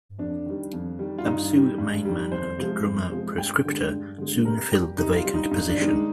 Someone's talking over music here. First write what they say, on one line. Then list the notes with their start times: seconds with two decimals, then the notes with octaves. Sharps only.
Absu mainman and drummer Proscriptor soon filled the vacant position.
0.18 F2 D4
0.46 D#3 G3
0.72 F2
0.99 D#3 G3
1.18 F4
1.25 G2 D#4
1.53 D#3 G3
1.78 G2
2.05 D#3 G3
2.31 F2 C5
2.58 C3 F3 G#3
2.85 F2
3.12 C3 F3 G#3
3.38 G2 G5
3.65 D3 G#3
3.92 G2
4.18 D3 G#3
4.44 C3 A#4
4.71 G3 G4
4.98 C3 D#4
5.17 F4
5.25 G3
5.34 D#4
5.51 G2 D#4
5.70 D4
5.77 D#3 G#3
5.87 D#4